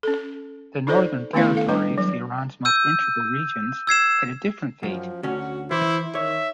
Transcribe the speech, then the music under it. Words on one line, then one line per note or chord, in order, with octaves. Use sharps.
The northern territories, Iran's most integral regions, had a different fate.
C#4 A4
D#4 F4 A4 C5 D5
D#3 A3 B3 C#4 E4 F5
A4 F5
G3 D4 B4 G5
F#3
E6 G6 D#7
E6 G#6 C7 E7
F#2 F3
D2 C#4 F#4
E3 E4 C5
D#3 C#5 E5